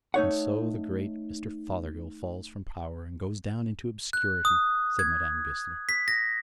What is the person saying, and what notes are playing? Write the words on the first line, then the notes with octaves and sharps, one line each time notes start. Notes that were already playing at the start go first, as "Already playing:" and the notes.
"And so the great Mr. Fothergill falls from power, and goes down into obscurity," said Madame Goesler.
A3 D#4 C#5 F#5
F#6
D#6
G#6
B6
A#6